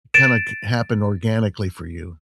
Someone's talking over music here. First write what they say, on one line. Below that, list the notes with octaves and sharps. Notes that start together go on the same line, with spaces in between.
kinda c happen organically for you?
A6 D7 E7